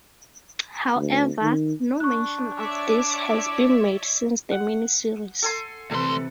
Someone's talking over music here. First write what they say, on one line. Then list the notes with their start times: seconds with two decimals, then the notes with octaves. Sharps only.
However, no mention of this has been made since the miniseries.
0.96 D2
1.41 D#3
2.00 D4 C#6 F#6
2.57 C#5 D5 E5 D6
4.51 F#5
5.42 A4 G#5 C6
5.91 D2 C3 E3 A4 B4 C6